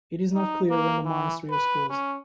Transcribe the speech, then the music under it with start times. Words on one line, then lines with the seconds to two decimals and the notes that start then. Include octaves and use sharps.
It is not clear when the monastery was closed.
0.34 D#4
0.70 A#3
1.04 E3
1.50 B4
1.90 C#4